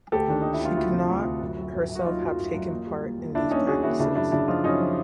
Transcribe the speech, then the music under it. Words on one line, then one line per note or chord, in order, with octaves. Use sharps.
She could not herself have taken part in these practices.
D2 G4 A4
D#3 D4
D#3 D#4
E4
D2 F4
D2 E4 F#4
C3
D2
D2
F#2
F#3
F#2
F#2
F#4
F#3 D#4 F4
F#2
F#2
F#2
D#2
G3
D#2
D#2
D#2 D4 E4
D#2 C#4 D#4
D#2 F#4 G#4
D#2 E4 F#4
C#3 D4 E4
F#2 D4 E4
C#3 D4 E4
F3 D#4 F4
F#2 C#4 D#4
F3